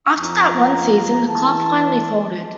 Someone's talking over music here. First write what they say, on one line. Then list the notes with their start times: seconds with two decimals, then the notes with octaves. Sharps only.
After that one season, the club finally folded.
0.18 F2 F4 A#5
1.27 E3 A5